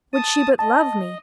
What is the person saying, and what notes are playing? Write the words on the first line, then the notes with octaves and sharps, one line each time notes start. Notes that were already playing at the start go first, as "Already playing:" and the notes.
Would she but love me!
A5 D#6
D#5 A5